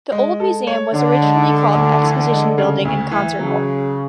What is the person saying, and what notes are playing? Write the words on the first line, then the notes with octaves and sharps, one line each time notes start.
The Old Museum was originally called the Exhibition Building and Concert Hall.
G#3
A4
C#5
D3 D4
G#3
A4
D2
E3
G#3
C#3
D2
E3
C#3 F#3